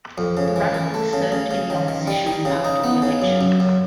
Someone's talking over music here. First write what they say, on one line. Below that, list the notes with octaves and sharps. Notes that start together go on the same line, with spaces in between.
The Radicals served in opposition after the election.
F2
C#3
E3
E3
A3
C#3
C#3
C#3
D#3
D#3
G3
D#3
C#3
D#4
B3
C#3
F#2
F#2
F#2